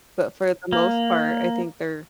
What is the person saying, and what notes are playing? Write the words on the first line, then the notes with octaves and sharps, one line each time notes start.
But for the most part, I think they're
A#3